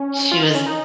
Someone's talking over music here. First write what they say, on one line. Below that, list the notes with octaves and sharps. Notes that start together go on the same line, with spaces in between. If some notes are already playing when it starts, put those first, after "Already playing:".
She was
Already playing: C#4
F4
D#4
C#4
D#4